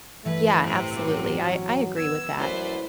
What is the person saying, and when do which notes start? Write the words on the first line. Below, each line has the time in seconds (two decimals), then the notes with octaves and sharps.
Yeah, absolutely. I I agree with that.
0.25 G2 E3 A3 B4
0.62 A2 C3 C4
0.94 F#3 B3 D6
1.44 C#4
1.96 B3 E6 G#6
2.38 F#2 A3 E4 B4 C5 D5